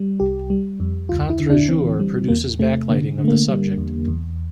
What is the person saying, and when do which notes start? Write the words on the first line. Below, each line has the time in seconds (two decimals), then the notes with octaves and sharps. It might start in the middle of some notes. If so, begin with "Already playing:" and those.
Contre-jour produces backlighting of the subject.
Already playing: G3
0.20 C2 G4
0.50 G3
0.80 F2
1.09 D2 F4
1.30 E4
1.40 D3
1.50 D4
1.69 E3 C4
1.99 G3
2.28 E2 A#3
2.59 C3 A3
2.89 D3 A#3
3.19 D3
3.24 A3
3.28 A#3
3.48 G3
3.78 E2
4.08 E2